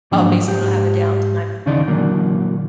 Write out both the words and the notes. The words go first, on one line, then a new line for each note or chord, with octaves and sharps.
Oh, basically I'll have a downtime.
G#2 F3 F#3 A#3 D4
G#2 G4
D#2 C#3 E3 D#4 D5
A#2 D3 E3 F#3 A#3